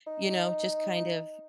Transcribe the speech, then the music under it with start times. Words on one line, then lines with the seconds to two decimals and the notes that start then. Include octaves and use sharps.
you know, just kind of
0.07 D#4